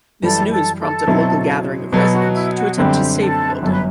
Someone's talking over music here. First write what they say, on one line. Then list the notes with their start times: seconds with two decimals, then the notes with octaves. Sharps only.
This news prompted a local gathering of residents to attempt to save the building.
0.22 F#2 E3 G3 A4
0.51 A4
0.79 A4
1.07 B2 F#3 C4 E4
1.92 B2 F#3 B3 A4
2.13 F#4
2.35 E4
2.56 F#4
2.77 F#2 D3 G3 C4 G4
3.20 A4
3.62 G1 F#2 F#3 A4
3.71 B4